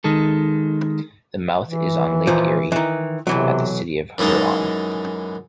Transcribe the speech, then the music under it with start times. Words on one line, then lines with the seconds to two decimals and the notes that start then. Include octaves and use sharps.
The mouth is on Lake Erie at the city of Huron.
0.04 D#3 G#3 A4
1.65 E3
2.27 D#2 A#2 F3
2.72 D#3 E3
3.27 B1 C3 E3 F#3
4.18 F#2 E3 G#3 D#4 A5